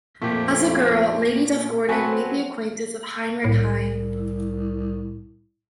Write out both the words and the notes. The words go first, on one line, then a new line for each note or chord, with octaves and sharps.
As a girl Lady Duff-Gordon made the acquaintance of Heinrich Heine.
F2 A#2 A3 A#3 G4
F#3 C4 F#4 B4 G#5 A5
C2 A2